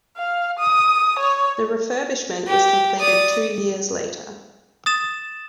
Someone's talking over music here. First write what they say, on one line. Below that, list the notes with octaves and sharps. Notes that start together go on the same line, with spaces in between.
The refurbishment was completed two years later.
F5
D#6
C#5
G4
D5 D#6
D#6 A6 E7